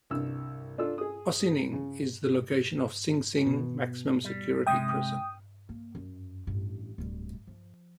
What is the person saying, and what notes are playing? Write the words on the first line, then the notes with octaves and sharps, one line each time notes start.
Ossining is the location of Sing Sing maximum-security prison.
C2 G2 E6
D4 F4 A4 E6
G#4 D#6
C#3
B2
G3
C3 G#3 E5 G5 D#6
A#3
F#2
A1 G2
D1 G3
F3